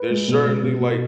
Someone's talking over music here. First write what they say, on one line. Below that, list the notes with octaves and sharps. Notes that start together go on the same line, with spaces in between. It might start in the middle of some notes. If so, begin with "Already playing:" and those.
there's certainly, like,
Already playing: B4
G#3
B2
G#3
B2
B2